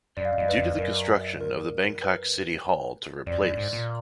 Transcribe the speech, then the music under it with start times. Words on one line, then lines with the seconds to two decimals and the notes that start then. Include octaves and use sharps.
Due to the construction of the Bangkok City Hall to replace.
0.17 F#2 D5
0.25 F5
0.33 D#5
0.38 F#2 D5
0.48 B4
0.58 F2
0.78 F#2 A#4
1.40 A#4
2.02 B4
3.26 F2 D5
3.42 F#2
3.57 G#2
3.73 A#2